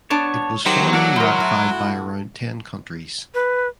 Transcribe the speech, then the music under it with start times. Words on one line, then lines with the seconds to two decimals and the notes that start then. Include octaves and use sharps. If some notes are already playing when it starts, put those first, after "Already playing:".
It was formally ratified by around ten countries.
0.10 B3 D4 C#5 A5
0.66 D#3 F#3 G4 C5
0.93 A#3 F#4 A4 D5
1.16 D#3 E4 A#4 C6 F6
1.40 A2
3.34 B4